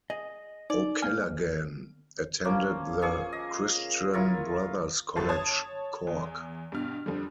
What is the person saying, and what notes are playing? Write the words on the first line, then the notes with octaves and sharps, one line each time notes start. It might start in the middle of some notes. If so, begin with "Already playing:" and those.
O'Callaghan attended the Christian Brothers College, Cork.
G#4 D#5
D#4 D5
A#3 G#5 F6
F3 A#3 C#4
A#3 G#4 C#6
D#5
E4 F4 A#4 C#5
G1 F#3 A4 A6
C#5 A5 D#6 G#6
E2
G2 B2 F6
F2 D3 G3